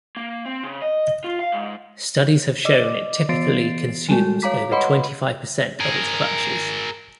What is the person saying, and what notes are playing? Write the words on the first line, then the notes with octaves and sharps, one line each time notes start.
Studies have shown it typically consumes over twenty-five percent of its clutches.
A#3
C4
C#3
D#5
F4
F5
G#2
D5 D#5 D6
E3 B3 A6 C7 D7
G3 G#3 F#4
C#5 F5 A#5 D6 B6
B4 C#5 D#5 F#5 B5 C6
G#4 A#4